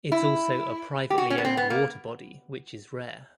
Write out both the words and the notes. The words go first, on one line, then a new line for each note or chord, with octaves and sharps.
It's also a privately owned water body which is rare.
E4
G4
F#4
C#4
B3
C4
B3
A#3